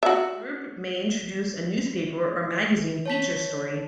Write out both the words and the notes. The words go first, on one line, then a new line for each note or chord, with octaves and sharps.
A blurb may introduce a newspaper or magazine feature story.
F#4 E5
C#5 A5 B6